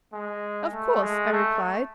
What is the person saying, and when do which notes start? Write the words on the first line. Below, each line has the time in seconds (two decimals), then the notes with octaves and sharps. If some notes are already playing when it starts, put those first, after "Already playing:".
'Of course,' I replied.
0.14 G#3
0.73 A3
1.03 G#3
1.32 A3